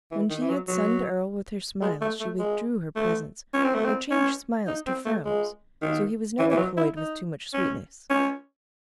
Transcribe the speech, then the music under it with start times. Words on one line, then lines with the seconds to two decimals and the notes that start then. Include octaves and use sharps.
When she had sunned Earle with her smiles she withdrew her presence, or changed smiles to frowns; so he was never cloyed with too much sweetness.
0.12 E3
0.30 D#3
0.41 E3
0.50 F#3
0.68 F#3
1.82 G#3
2.01 A3
2.20 A3
2.39 G#3
2.96 A3
3.54 C#4
3.65 C4
3.75 A3
3.85 C4
4.11 C#4
4.68 D#4
4.87 C4
5.05 A3
5.25 G#3
5.82 D#3
6.39 E3
6.51 E3
6.58 F#3
6.77 E4
6.97 D#4
7.54 C#4
8.10 C#4